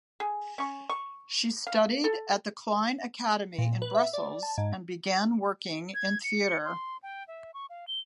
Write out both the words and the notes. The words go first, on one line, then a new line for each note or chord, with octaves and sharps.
She studied at the Kleine Academy in Brussels and began working in theatre.
G#4
C#4 C#6
C#6
F5
A4
A#2
B4
E5
D5
A5
G#2
G#6
C#7
C6
G5
E5
C#6
F5
G7